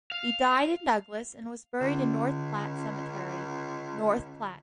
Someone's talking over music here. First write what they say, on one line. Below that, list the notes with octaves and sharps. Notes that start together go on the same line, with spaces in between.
He died in Douglas, and was buried in North Platte Cemetery, North Platte.
F5
C#2 D3 C#4